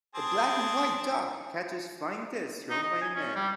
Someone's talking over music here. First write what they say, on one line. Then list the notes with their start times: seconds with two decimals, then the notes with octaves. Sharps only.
A black and white dog catches flying discs thrown by a man.
0.15 C4 G#4 A5
2.70 D#4
2.83 D#5
3.02 G#5
3.16 C#4
3.36 G3